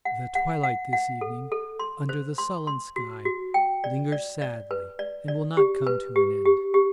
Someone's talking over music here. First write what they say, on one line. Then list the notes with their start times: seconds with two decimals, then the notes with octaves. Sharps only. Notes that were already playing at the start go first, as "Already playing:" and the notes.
The twilight this evening, under the sullen sky, lingers sadly, and will not come to an end.
0.05 F#5
0.35 F#5
0.63 F#5
0.93 F#5
1.21 A4
1.52 A4
1.79 C6
2.09 C5
2.38 C6
2.67 C6
2.96 F#4
3.25 F#4
3.54 G5
3.84 D5
4.12 D5
4.42 D5
4.71 B4
4.99 D5
5.28 D5
5.57 G4
5.87 B4
6.16 G4
6.45 G4
6.74 G4